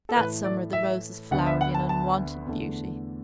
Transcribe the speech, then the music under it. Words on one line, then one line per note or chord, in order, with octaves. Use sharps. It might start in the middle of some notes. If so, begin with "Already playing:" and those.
That summer the roses flowered in unwonted beauty.
A4
A2 E3 A3 B4
D5
E5
D2 D3 B3 F#5
E5
F#5
A5
A5
E2 D3 A3